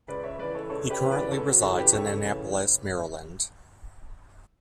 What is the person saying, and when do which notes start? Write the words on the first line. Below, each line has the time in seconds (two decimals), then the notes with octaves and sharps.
He currently resides in Annapolis, Maryland.
0.08 C#2 B4 D5
0.24 C#5 E5
0.39 C#3 E3 B4 D5
0.55 A4 C#5
0.70 C#2 A4 C#5
0.90 G4 B4
1.01 C#3 E3
1.11 B4 D5
1.31 C#2 A4 C#5
1.47 F#4 A4
1.62 C#3 E3 F#4 A4
1.77 G4 B4
1.92 C#2 A4 C#5
2.24 C#3 E3